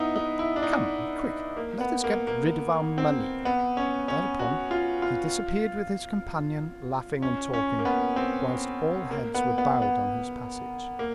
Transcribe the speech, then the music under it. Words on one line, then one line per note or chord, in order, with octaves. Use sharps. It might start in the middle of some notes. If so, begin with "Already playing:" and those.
"But come, quick! let us get rid of our money." Thereupon he disappeared with his companion, laughing and talking, whilst all heads were bowed on his passage.
Already playing: B3 D#4 E4
D#4
E4
D4
D#4
A#3
B3
A#3
A#3
C4
B3
C#4
C#4
F#4
F4
F4
C#4
C#4
A#3
B3
C4
A#3
B3
B3
B3
A#3